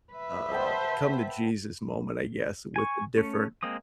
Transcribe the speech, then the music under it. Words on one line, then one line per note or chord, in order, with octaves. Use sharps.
uh, come-to-Jesus moment, I guess, with different
B4 E5
A4 C5 F#5 G5
G#5 C#6
A3 C#4
G#3 A#3 C4 D#6